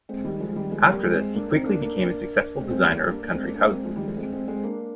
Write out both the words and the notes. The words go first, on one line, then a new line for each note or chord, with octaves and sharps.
After this he quickly became a successful designer of country houses.
G#3 C4
D#3 G3
F3 G#3
D#3 G3
F3 G#3
G3 A#3
G#3 C4
A#3 D4
C4 D#4
A#3 D4
A#3 D4
G#3 C4
G#3 C4
G3 A#3
G3 A#3
A#3 D4
A#3 D4
G#3 C4
A#3 D4
A#3 D4
A#3
G#3 C4
F3 G#3
D#3 G3
F3 G#3
G#3 C4
G#3 C4
G#3 C4
A#3 D4